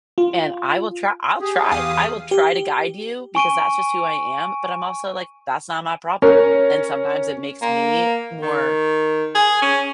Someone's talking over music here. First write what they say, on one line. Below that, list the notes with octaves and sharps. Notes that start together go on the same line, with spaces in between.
And I will try I'll try. I will try to guide you because that's just who I am, but I'm also like, that's not my problem. And sometimes it makes me more
F4
G4 G#4
E2 F5 D#6
G4
G#5 C#6 D7 D#7
C#4 A#4
A#3
D#3
G#4
C#4